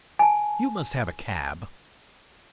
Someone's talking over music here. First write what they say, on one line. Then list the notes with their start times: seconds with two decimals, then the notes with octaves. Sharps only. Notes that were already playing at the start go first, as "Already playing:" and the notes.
"You must have a cab."
0.19 G#5 A5